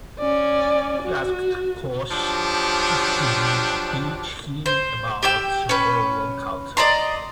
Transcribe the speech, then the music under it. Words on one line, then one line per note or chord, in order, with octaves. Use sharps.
He asked Kosh if he would teach him about Vorlon culture.
C#4 D5
F#4
F3 F#3 D4 G4
C5
G4 G5 E6
C#4 B4
D5 D#5 A#5 C6